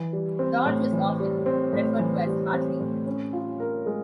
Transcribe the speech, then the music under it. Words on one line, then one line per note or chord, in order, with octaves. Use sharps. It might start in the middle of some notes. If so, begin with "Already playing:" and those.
Dodge was often referred to as Hartley.
Already playing: E3
G3
C4
A2
E3
G3
C4
A2
E3
G3
C4
A2
C#4
F4
A#4
G#3